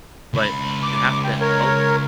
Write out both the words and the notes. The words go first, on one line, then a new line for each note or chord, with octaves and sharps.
but you have to help
C#2 B5
D6
G5
A#4 C#5